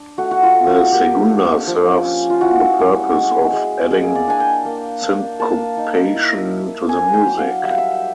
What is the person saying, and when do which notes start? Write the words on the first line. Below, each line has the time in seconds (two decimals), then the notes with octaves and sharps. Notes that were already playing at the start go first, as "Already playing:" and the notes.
The Segunda serves the purpose of adding syncopation to the music.
Already playing: D4
0.18 A3 F#4
0.31 F#4
0.43 F4
0.55 A3
0.67 F#4
0.92 A#3 G4
1.30 D4
1.67 F3
2.04 C#4
2.30 F4
2.41 E4 F#4
2.79 G3
3.16 G#3
3.53 G#3
3.91 A#3 G#4
4.15 D5
4.28 D4 G#5
4.40 G5
4.65 A#3
5.02 D4
5.39 A#3 A5
5.77 D#4
6.14 E4
6.52 E4
6.88 D4 G#5
7.14 G5
7.26 F#3
7.39 F5
7.63 G3 E5
7.70 F5
7.78 E5